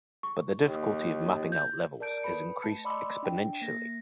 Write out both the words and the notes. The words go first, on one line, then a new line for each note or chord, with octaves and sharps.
But the difficulty of mapping out levels is increased exponentially.
C#6
D#2
G6
A#4 D5 A5 G6 D7
A4 B4 B5 C#7
A3 A5 C#7
D5 D#5 B5 C6 D6 E6
D4 G5
A#3 A#6